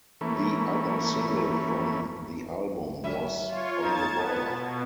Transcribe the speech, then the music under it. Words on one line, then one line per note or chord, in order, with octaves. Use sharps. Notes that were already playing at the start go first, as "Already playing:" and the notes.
The other single from the album was "On the Border".
E3 A3 A#3 C#4 B4
F#3 C#4 E5
F4 C#5
D#4 A#4 A5 G#6 A6
B3
B2